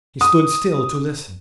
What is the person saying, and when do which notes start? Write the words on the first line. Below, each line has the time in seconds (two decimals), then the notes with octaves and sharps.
He stood still to listen.
0.21 D#6